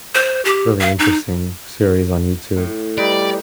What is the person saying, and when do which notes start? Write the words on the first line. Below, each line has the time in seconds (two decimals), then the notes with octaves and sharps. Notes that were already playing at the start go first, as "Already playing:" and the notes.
really interesting series on YouTube,
0.15 C5
0.45 G4
0.80 F5
0.99 D#4
2.56 A2
2.98 G3 D#4 B4 D5